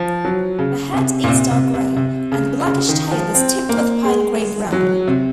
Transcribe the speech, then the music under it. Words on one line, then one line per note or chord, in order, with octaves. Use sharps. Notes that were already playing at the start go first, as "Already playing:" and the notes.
The head is dark grey, and the blackish tail is tipped with pale grey-brown.
Already playing: F3
F#3
C#3
C3
A#2
C3
C3
C3
C3
C#3
C#3
D#3
F3
C4
A#3
G#3
F#3
C3